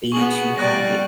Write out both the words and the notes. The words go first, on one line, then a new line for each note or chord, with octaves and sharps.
stage to have a
B3 G#4 C#6 F#7
G3 D5 C#6 F#6 A#6